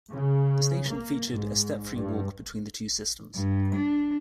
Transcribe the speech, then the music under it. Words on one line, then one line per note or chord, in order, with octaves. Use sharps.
The station featured a step-free walk between the two systems.
C#3
A#3
G#2
G2
G2
D4